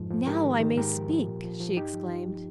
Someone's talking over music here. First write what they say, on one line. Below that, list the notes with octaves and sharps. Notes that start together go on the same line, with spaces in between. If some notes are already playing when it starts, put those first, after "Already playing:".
"Now I may speak!" she exclaimed.
Already playing: F2 G#2 F3
F3
G#2 G4 A#4
D#3
D#3
G#2 G4 A#4
F3
F3
A#2
F3
F3
G2 D#4 G4
F3
F3